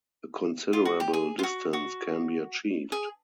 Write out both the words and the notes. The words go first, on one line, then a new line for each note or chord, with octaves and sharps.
A considerable distance can be achieved.
F4
F#4
G4
G#4
F4
F#4
F#4
G#4